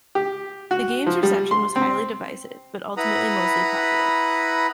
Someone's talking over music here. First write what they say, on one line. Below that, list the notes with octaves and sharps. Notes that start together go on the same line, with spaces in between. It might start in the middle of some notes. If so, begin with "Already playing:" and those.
The game's reception was highly divisive, but ultimately mostly positive.
G4
F#4
F3
G3
C6
C4
E4 B4 F#5 A#5 B5 D#6